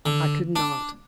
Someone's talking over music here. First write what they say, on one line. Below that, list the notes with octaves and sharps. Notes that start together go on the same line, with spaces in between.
I could not.
D3
D4